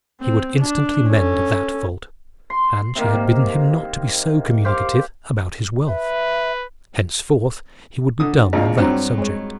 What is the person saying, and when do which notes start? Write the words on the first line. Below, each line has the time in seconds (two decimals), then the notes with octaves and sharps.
He would instantly mend that fault. And she had bidden him not to be so communicative about his wealth. Henceforth he would be dumb on that subject.
0.20 C4
0.60 D4
1.06 C#4 A4
2.50 C6
2.95 C3 D#3 A#3
4.65 G4 C5 F5 D6
5.88 B4 E5
8.20 D3 D#6
8.53 G#1 D#2 D4 F4 G#4 F5
8.78 G2 F#3 C4 F#4 C5
9.18 G#3 C#5